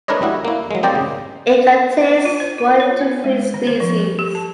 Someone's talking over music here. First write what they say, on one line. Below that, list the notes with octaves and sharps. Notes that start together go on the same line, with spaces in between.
It contains one to three species.
A3 D4 A#4 B4 C#5 D#5
G3 E4 F#4
A#3 E4
F#3 G#3
A#3 C4 G4 C5 D5 D#5
C#3
F4
C5
F4
C#5
B3
G#3
D#3
C5
F3
A4
G4
A5